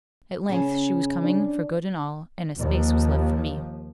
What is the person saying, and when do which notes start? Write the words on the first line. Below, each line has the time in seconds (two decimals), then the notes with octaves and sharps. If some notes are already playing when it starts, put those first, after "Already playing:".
At length she was coming for good and all, and a space was left for me.
0.49 C#3 C#4
1.23 D4
2.59 D#2 F3